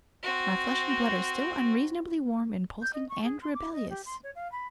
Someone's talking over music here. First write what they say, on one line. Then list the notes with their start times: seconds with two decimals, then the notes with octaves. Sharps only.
My flesh and blood are still unreasonably warm and pulsing and rebellious.
0.23 C4 F#4
2.82 G6
2.93 D#5
3.09 C#6
3.24 G#4
3.42 C6
3.54 D6
3.73 D#5
3.90 G4
4.06 C6
4.24 C#5
4.35 F5
4.52 B5